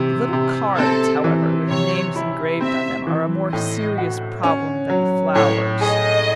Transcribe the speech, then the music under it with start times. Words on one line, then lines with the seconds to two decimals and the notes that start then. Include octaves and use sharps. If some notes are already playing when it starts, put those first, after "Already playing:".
The little cards, however, with names engraved on them, are a more serious problem than the flowers.
Already playing: C3 E3
0.33 C3
0.78 C4 A4
1.24 E3
1.70 C3 C#5
2.16 E4
2.61 C4 E5
3.07 E3
3.52 A2 D#5
3.98 F#4
4.43 C#4
4.90 F#3
5.35 A2 C#5
5.81 G#4 D#5